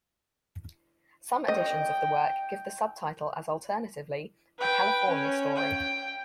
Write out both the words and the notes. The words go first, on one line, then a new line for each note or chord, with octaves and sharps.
Some editions of the work give the subtitle as alternatively, "A California Story".
D#5 G5
B4 G5
C#4
G5